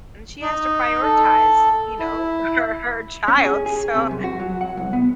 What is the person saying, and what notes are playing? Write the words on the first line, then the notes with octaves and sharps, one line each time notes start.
And she has to prioritize, you know, her her child, so
D#4
A4
E4
C#4
G#4
G#4
C3
F#2
F#4
F#3
F#5
C2
B3